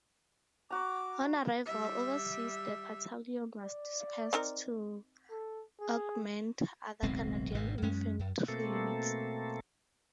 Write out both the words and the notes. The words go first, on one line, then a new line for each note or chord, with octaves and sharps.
On arrival overseas the battalion was dispersed to augment other Canadian infantry units.
F#4 A#5 D6
G3 E5
D5
C4 D#4 A#4
A4
G#4
D1 B1 G#3 C4
G#1 G#2 B2
F#2 G#3 C#4
F#2
B2 A3 A#3 C4 A4